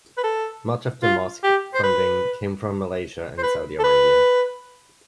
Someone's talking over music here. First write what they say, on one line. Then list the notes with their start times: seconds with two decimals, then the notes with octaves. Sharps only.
Much of the mosque funding came from Malaysia and Saudi Arabia.
0.18 B4
0.23 A4
1.03 F4
1.44 G4
1.74 C5
1.83 B4
3.38 C5
3.43 B4
3.79 A4
3.84 B4